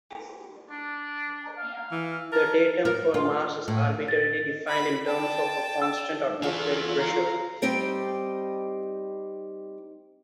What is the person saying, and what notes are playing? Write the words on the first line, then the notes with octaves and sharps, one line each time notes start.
The datum for Mars is arbitrarily defined in terms of a constant atmospheric pressure.
D4
F5
E3
A#4 A5
A#4
F4
A2
A6
B5
G5 A5
E6
E3 F#3 F4 G#4 A4
F5 A#5
G3 C4 D#4 G4